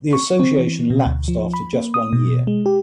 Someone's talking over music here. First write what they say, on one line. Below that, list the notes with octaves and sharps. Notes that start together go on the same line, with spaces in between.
The association lapsed after just one year.
C#6
C4
E3
B2
D2
F3
B5
A#3
D#6
B2
G#3
G4